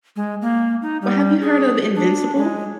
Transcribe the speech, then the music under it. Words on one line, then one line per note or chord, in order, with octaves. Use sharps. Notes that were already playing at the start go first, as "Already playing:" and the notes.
Well, have you heard of Invincible?
G#3
A#3
D#4
G3
G#4
D4
G#3